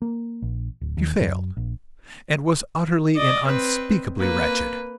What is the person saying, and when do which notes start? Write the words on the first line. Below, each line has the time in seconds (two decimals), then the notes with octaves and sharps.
She failed, and was utterly and unspeakably wretched.
0.02 A#3
0.42 A#1
0.81 D1
0.97 D#2
1.20 F#2
1.57 A#1
3.16 D5 D#5
3.46 C4 B4
4.17 A#3 B4